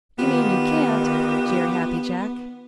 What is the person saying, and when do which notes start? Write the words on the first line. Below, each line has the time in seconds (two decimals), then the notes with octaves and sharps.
"You mean you can't!" jeered Happy Jack.
0.19 D#3 B3 F4 G4